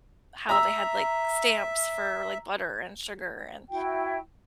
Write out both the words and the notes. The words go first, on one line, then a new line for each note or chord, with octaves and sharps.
how they had, like stamps for, like butter and sugar and
E5 A#5 E6
E4 F#4 G5